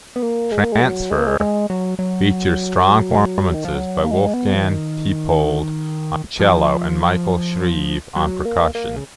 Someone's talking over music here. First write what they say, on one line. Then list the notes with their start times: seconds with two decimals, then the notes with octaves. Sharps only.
"Trancefer" features strong performances by Wolfgang Tiepold on cello and Michael Shrieve on percussion.
0.16 B3
0.22 A#3
0.52 G#3
0.63 A#3
0.72 G#3
0.81 F#3
1.10 G#3
1.18 A#3
1.27 G#3
1.40 G#3
1.70 F#3
1.99 F#3
3.54 D#3
3.65 F3
3.75 F#3
4.04 A#3
4.11 G#3
4.19 F#3
4.26 G#3
4.34 B3
4.54 F3
4.63 D#3
6.40 F3
8.16 F#3
8.45 A#3
8.75 A#3
8.96 C#3